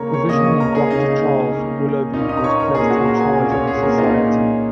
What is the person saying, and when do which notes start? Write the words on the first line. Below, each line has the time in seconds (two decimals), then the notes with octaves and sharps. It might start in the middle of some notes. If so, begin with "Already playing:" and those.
Provisionally Doctor Charles Willoughby was placed in charge of the society.
Already playing: C#3 A#3 C#4 A#4 C#5 A#5
0.13 C#5 C#6
0.29 C#3 A#3 C#4 D#5 D#6
0.44 C#5 C#6
0.60 A#4 A#5
0.75 G#4 G#5
0.90 C#3 A#3 C#4 D#4 D#5
1.52 C#3 A#3 C#4
2.13 A#2 A#3 C#4 D#4 D#5
2.29 D#5 D#6
2.37 A#5
2.44 C#5 C#6
2.60 A#4 A#5
2.74 A#2 A#3 C#4 G#4 G#5
2.90 F#4 F#5
3.05 A#4 A#5
3.21 G#4 G#5
3.36 A#2 A#3 C#4
3.51 C#4 C#5
3.67 G#4
3.82 A#3 A#4
3.98 A#2 A#3 C#4 D#4 D#5